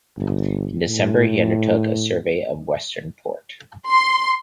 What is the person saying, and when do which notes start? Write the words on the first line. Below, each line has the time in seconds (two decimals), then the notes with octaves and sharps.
In December he undertook a survey of Western Port.
0.17 G1
0.88 A2
3.88 C6